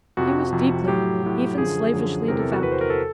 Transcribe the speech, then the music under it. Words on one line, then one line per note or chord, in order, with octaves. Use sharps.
He was deeply, even slavishly, devout.
F2 C3 F3 F#4
F2 C3 F3
A2 F#3 G4
A2 F#3
F#2 D3 F3 G#4
F#2 D3 F3
E2 C3 E3 A#4
A4
F#4
E2 C3 E3 B4
C5
A#4
A4